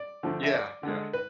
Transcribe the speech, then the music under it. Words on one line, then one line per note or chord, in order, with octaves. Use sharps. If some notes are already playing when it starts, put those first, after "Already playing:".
Yeah, yeah.
Already playing: D5
D3 F3 A3
E5
D5
D3 G#3
B4